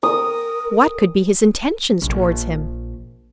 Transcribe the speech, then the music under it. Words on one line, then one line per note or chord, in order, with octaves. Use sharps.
What could be his intentions towards him?
A#4 D#6
A#1